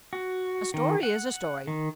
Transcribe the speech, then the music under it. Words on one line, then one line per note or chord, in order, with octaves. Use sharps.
A story is a story.
F#4
D#3
F#5
D#3